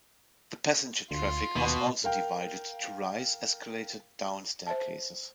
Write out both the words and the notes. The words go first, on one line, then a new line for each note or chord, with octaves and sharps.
The passenger traffic was also divided, to rise - escalator, down - staircases.
D2 F4
D#2 B2
A#4 F5 G5
C5 E5 A5